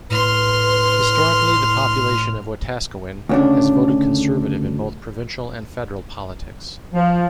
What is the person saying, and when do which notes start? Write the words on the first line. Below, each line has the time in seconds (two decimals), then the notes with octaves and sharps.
Historically the population of Wetaskiwin has voted Conservative in both provincial and federal politics.
0.10 A2 B4 C6 F6
3.29 D2 C#3 D4
6.93 F3